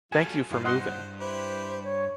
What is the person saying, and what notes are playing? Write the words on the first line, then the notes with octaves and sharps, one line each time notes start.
Thank you for moving.
F#3 G3 F4 F#4 A4 G#5
G2 E4 C5 F5
C5 D#5 F#5 C6
E4 G4 B4 C5
C#5